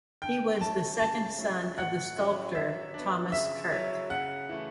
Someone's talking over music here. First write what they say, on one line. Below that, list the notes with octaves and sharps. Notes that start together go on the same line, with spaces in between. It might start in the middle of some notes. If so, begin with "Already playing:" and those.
He was the second son of the sculptor Thomas Kirk.
D3 G5
F#3 C#4 E4 A5
C#3 A5
F#3 A3 C#4 E4
A2 F#5
F#3 C#4 E4
F#3 E5
B3 D4
C#3 E5
F#3 C#4 E4
C#3 F#5
E3 A3